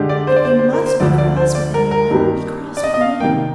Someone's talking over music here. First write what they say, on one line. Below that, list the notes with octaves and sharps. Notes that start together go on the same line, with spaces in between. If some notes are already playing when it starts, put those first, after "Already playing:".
If you must be cross with anyone, be cross with me.
Already playing: D3 G#3 D4 G4
D5
C5
D5
C5
C5
A#4
C5
D2 D3 F3 D5
D5
C5
D5
A#4
A#4
G2 D#3 A#3 D#4 G4
D5
D#5
D#5
F5
C3 D#3 A#3 G5